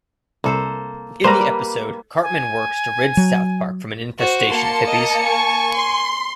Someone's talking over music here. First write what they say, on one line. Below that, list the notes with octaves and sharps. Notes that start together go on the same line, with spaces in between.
In the episode, Cartman works to rid South Park from an infestation of hippies.
C2 A#3 A4 C5
G3 A#3 B4 C5 A#5
G#5
F#3
F#4 C5
A#3 A5 C6 C#7
D#5
G#5 C#6
C6